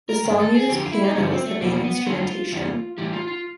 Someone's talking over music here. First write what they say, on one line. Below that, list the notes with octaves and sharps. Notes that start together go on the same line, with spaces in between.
The song uses piano as the main instrumentation.
A#4
G2 D#3 A#4
A4
G#4
F2 D3 F#3 G4
F4
E4
D#4
G2 D3 G3 C#4
C4
A3
E2 B2 G3 A#3
A#3
B3
B3
F2 D3 F#3 F4
E2 C3 E3 G3
A2 E3 G3 G4
F4
F4